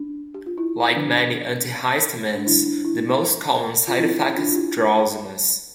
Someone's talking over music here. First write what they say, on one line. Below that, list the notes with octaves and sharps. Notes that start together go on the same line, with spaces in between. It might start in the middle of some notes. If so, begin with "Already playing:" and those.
Like many antihistamines, the most common side effect is drowsiness.
Already playing: D4
G4
F4
E4
D3 F3 B3 D4
D4
D3 G3 D4 E4
D4
E4
F4
F3 C4 E4
D4 F4
F4
E4 G4